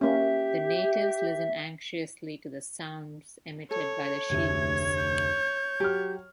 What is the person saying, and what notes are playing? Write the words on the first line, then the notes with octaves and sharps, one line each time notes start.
The natives listen anxiously to the sounds emitted by the shields.
A#3 C#4 G4 E5
A4 C#5
F1 D2 E5 G#6
G6
F#3 G4 F6